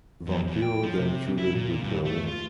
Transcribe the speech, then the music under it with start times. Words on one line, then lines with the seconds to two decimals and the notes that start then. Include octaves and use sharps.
Vampiro then feuded with Berlyn.
0.27 E2
0.47 E2
0.62 G5
0.83 F3
0.99 C3
1.38 E4
1.54 A#2
1.82 G2
2.05 A3
2.27 F4